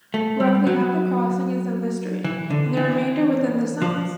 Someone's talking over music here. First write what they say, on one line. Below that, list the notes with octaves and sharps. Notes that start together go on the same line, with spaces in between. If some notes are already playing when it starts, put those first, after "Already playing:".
Roughly half the crossing is in the strait, and the remainder within the Sounds.
A3
G3
F#3
E3
D3
E3
F3